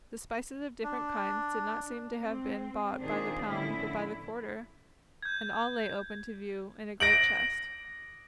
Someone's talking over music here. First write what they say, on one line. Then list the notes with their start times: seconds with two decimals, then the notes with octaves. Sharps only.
The spices of different kinds did not seem to have been bought by the pound but by the quarter, and all lay open to view in a great chest.
0.83 D4
2.24 C4
3.01 A#2 D#3 A#3 D4 G#4 C5
3.44 F2 A2 D3 C#4 E4
5.22 G6 G#6
7.00 A#6 D7 F#7